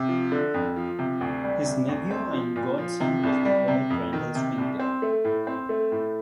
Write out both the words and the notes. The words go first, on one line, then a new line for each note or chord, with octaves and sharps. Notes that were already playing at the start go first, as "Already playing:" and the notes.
His nephew and godson was the poet Randall Swingler.
Already playing: C3
F3
D3
F2
F3
C3
D2
G3
C3
D2
C4
F3
A#2
F3
C3
C2
G3
C3
F2
D#3
C3
C2
C4
A3
A2
C4
A3
A2